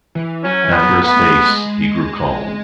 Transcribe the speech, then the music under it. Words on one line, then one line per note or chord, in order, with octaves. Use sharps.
After a space he grew calm.
E3
F#3 C#4
E3
B3
F#3
A3 B3
A3
A3
G#3